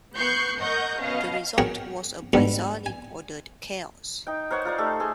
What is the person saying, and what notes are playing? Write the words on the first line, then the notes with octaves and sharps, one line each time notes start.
The result was a bizarrely ordered chaos.
B3 C#6 F#6 G6 C7 C#7
A#4 D#5 F#5 C#6 G6
B2 B3 C#4 D#5 F5
F#4 G#4 A#4 C#5 G5
G#2 B2 D3 G3 B3
G#5
D#4 G5
A#4 C5 C#5 F#5
F4 A#4 D5
A3 D#4 G4 A4
G#4 A4 C6